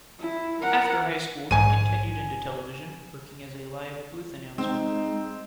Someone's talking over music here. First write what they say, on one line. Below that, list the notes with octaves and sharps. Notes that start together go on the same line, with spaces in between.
After high school he continued into television, working as a live booth announcer.
E4
A#4 F#5
A#1 G#2 G#5 D#7
G#3 C4 D#4